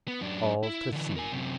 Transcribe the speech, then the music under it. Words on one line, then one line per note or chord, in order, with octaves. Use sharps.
All to see.
B3
F#2 D4
E4
D3 E3
A#4 G#5
F#2 C3